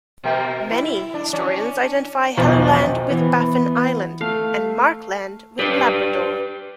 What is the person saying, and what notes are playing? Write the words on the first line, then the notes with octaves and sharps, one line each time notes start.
Many historians identify Helluland with Baffin Island and Markland with Labrador.
B2 A#3
E4
D4
C#4 D4
B1 E2 D#3 F3
E3 B3
A3 F5
G4 B4 D5